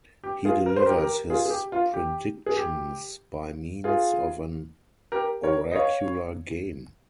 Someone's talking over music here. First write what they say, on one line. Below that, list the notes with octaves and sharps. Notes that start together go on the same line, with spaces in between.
He delivers his predictions by means of an oracular game.
G4
F4 G#4
A#4
C5
G4 A#4
G4 A#4
F4 G#4
G#4
G4
F4
G4
G#4
G4
F4 G#4
G4 A#4
A#4 C#5
D#5
C#5 F5